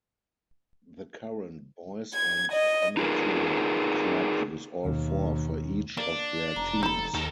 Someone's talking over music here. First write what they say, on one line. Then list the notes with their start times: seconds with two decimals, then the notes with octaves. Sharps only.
The current boys and amateur club use all four for each of their teams.
2.13 G#6
2.52 D#5
2.97 D#4 F4 G#4 A#4 B4
4.83 D#2 B2
5.97 A#3 D4
6.56 F1 A#5
6.83 D#4 A4 B5
7.14 D#2 D#3 A4 A#4